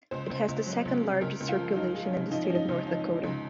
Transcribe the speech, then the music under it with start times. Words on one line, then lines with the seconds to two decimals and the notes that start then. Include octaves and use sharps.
It has the second largest circulation in the state of North Dakota.
0.11 C#2 C5
0.30 C#2
0.48 C#2
0.66 F#3
0.85 C#2
1.03 C3
1.21 C#2 A#4
1.40 C#2
1.49 F4
1.58 F3
1.76 F3 D#4
1.95 G#3
2.05 C#4
2.13 C3
2.31 F3 D#4
2.44 C#4
2.50 F3
2.55 D#4
2.68 C#2
2.87 F3
3.05 F3
3.23 C#2